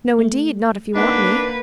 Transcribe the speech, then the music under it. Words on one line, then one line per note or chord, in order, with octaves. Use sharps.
"No, indeed--not if you want me."
A3
A#3 D4 D#4 B4 F#5